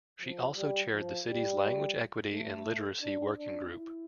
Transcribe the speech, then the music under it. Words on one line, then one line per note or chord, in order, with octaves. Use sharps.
She also chaired the City's Language Equity and Literacy Working Group.
F3
G3
F3
G3
A3
D4
D4
E4